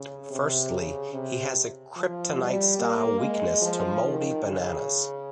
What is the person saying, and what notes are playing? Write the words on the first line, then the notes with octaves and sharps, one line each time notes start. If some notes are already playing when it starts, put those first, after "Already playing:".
Firstly, he has a kryptonite-style weakness to mouldy bananas.
Already playing: C#3
C3
C#3
C3
F3
G3
A#3
G#3
F3
D#3
C#3